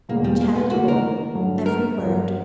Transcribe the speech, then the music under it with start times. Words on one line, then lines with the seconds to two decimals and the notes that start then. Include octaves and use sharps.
"Tell it all;--every word!"
0.09 E1 E2 B2 A#3
0.24 G3
0.41 A#3
0.55 B3
0.71 D2 C#3 E3 A#3 F#4
0.88 A#4
1.35 G2 D3 F#3
1.66 A#4
1.98 G1 G2 F#3 C#4 F#4